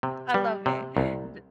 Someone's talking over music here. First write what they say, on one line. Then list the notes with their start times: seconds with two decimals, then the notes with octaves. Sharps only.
I love it. Do d
0.03 C3
0.34 G3
0.66 C3
0.97 C2